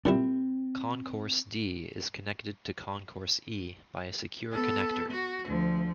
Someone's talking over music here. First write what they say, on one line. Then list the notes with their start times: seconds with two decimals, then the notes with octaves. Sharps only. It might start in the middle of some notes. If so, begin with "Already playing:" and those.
Concourse D is connected to concourse E by a secure connector.
0.05 A#2 G3 C4 D4 E4
4.52 B3 A4
5.11 F#4
5.46 D2 F3